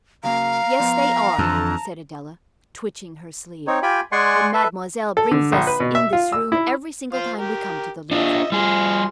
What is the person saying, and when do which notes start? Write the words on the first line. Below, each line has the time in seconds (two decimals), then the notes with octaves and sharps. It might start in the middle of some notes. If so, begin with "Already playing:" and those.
"Yes, they are," said Adela, twitching her sleeve, "and Mademoiselle brings us in this room every single time we come to the Louvre."
0.24 C#3 F#3 A#3 F5 A#5
0.80 F3 B3 D5
1.38 F2 D3 E3 F3 A5
3.67 C4 D#4 C#5
3.83 F4 G4 G5 G#5 B5
4.12 G#3 D5 F#5 G#5 C6 C#6
4.54 A4 B4 E5
5.17 A4
5.31 D3
5.52 A#1
5.67 B4
5.80 B2
5.95 E5
6.13 F4
6.32 E6
6.52 E4
7.13 F4 C5 F5
7.38 G4 A#4
8.11 D4 F4 D#5 E5
8.52 F3 G3 G#4 C6 F6